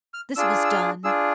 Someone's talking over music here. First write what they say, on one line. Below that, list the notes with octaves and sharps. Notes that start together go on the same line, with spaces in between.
This was done.
F6
D4 F4 G#4 E6
E6
F6
D4 F4 G#4 E6